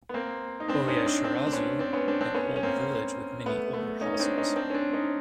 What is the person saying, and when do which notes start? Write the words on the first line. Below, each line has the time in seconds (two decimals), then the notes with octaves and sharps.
Oyashirazu - An old village with many older houses.
0.09 B3
0.14 A#3 C4
0.60 D#4
0.68 C4 D4
0.88 C#4 D#4
1.06 C4 D4
1.24 C4 D4
1.47 D4
1.52 B3 C#4
1.79 C4 D4
1.93 B3 C#4
2.08 C4 D4
2.21 C4 D4
2.35 B3 C#4
2.56 C#4
2.63 A#3 C4
3.46 A3 B3
3.73 A3 B3
4.01 C#4 D#4
4.14 C#4
4.20 C4 D4
4.38 C#4 D#4
4.56 C4 D4
4.70 C#4
4.74 C4 D4
4.93 C#4 D#4